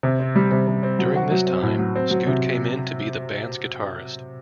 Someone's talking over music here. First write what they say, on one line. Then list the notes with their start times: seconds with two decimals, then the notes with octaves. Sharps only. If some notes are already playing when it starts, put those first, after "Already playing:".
During this time Scoot came in to be the band's guitarist.
0.03 C3
0.20 C4
0.36 G3
0.51 C3
0.68 C3
0.83 C4
0.99 F#3
1.16 F#4
1.31 F#3
1.47 C4
1.63 A2
1.78 F#3
1.96 C4
2.11 F#3
2.27 C3